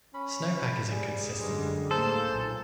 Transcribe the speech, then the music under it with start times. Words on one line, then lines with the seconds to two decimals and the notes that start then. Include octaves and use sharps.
Snowpack is inconsistent.
0.14 C#4 B5
0.91 G3 G#4
1.39 F#2 D3 G3 G#3
1.91 D#2 A2 A#3 A4 C5
2.27 B1 A#2